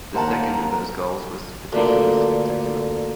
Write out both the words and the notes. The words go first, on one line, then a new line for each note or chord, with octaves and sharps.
The second of those goals was particularly spectacular.
D#2 A#3 C5 F#5 A5 A#5
D2 A#2 D3